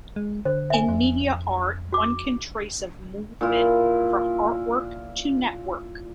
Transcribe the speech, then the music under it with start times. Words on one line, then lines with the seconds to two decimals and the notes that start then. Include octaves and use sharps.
In media art, one can trace a movement from artwork to network.
0.16 G#3
0.45 D3 C5
0.70 E5 G#5
0.88 F2
1.92 F#4 D6
3.41 A#2 E4 F4